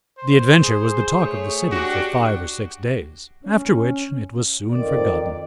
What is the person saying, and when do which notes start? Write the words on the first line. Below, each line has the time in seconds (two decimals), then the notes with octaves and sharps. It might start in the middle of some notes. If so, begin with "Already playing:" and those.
The adventure was the talk of the city for five or six days, after which it was soon forgotten.
0.18 C5
0.62 G#4
1.14 A3 C#5
1.72 D4 F#4 G4
3.44 C#4
4.71 F2 D#3 D5